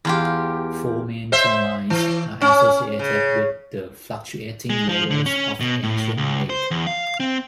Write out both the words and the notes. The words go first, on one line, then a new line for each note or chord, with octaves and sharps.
Four main shorelines are associated with the fluctuating levels of the ancient lake.
E2 F4 G4
C5 E5
E3
C#4
C#3
G#3
F3
D3
C#4
B2
A2
C#2
C5
E2
F5
C4